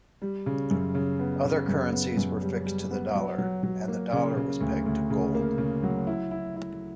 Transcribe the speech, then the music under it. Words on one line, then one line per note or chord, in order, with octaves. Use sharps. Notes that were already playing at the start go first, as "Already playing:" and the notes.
Other currencies were fixed to the dollar, and the dollar was pegged to gold.
G3
C#3
F#2
C#3
B3
C#3
F#2
B3
F#2
G3
G3
B3
F#3
F#3
F#3
A#3
C#3
C#3
D2
D2
C#3
A#3
C#3
F#3
E4
E4
E4